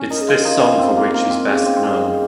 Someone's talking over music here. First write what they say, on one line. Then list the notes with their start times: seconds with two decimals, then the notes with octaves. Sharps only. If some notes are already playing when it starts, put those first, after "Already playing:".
It is this song for which he is best known.
Already playing: C#4
0.10 D#4 A#4
0.21 G#4
0.28 F4 A#4
0.45 D#4
0.62 C4
0.80 C4
0.97 A#3
1.14 A#3
1.30 C4
1.48 C#4 G#4
1.66 C4
1.76 C4
1.83 A#3
2.00 C4